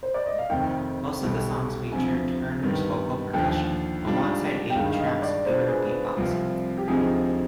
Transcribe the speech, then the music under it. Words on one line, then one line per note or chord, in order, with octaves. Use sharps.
Most of the songs featured Turner's vocal percussion, alongside eight tracks of pure beatboxing.
C5
D5
D#5
F5
F1 F2 D#3 G5
B1 B2 G3
D2 C3 F3 G#5
G2 D#3 G3 B3
D#2 D3 F3 G5
G#2 G3 D4 F4
G5
G1 G2 D#3 G#3 F5
F5
D#5
D5
B2 G#3 D4 F4 C5
B4
G#4
B4
C2 C3 F3 C4 F4
G4
D2 C3 F3 C4 D#4 G#4